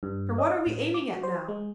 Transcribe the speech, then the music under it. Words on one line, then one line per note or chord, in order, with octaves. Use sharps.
For what are we aiming at now?
G2
D#5
A2
D6
F#4
C5
G#3